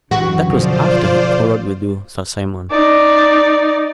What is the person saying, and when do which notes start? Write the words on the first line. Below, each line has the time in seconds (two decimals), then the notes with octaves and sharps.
That was after he quarrelled with you, Sir Simon.
0.11 F#2 D3 E3 F#4
0.50 B2 F3 F4 C5 D5
2.70 D#4 D5